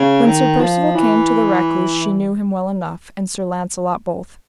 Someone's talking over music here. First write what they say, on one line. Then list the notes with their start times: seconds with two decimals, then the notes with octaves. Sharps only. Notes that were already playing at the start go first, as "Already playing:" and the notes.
When Sir Percivale came to the recluse she knew him well enough, and Sir Launcelot both.
Already playing: C#3
0.26 D#3
0.60 F3
0.95 E3